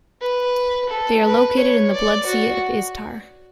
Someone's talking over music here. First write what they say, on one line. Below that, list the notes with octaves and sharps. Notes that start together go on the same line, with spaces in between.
They are located in the Blood Sea of Istar.
B4
A4
B4
C#5
D5
F#4